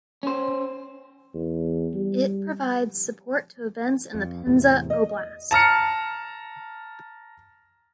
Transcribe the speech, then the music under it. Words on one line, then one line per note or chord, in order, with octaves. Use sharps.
It provides support to events in the Penza Oblast.
C#4 C5
E2
G3
F2
E2 A2 C3
D#5
A5 A#5 F6 C#7